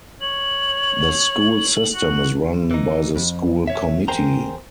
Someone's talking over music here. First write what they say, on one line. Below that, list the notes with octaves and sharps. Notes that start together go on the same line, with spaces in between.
The school system is run by the School Committee.
C#5 F#7
F#4
E3 D#4
F2
B1 C#5 E5
E2 G#4 A#4 C5 G5 A#5